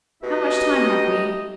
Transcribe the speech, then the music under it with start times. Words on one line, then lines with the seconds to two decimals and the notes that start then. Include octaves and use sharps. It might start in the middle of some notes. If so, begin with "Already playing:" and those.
"How much time have we?"
0.23 B2 A3 D#4 G4 D#5